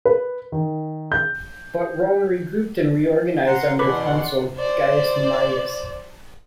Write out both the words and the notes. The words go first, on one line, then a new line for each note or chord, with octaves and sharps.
But Rome regrouped and reorganized under Consul Gaius Marius.
B4
D#3
G6
F#5 A#5 C6
E2 B2 B4 D5 F#5 C6 D6
C5 D5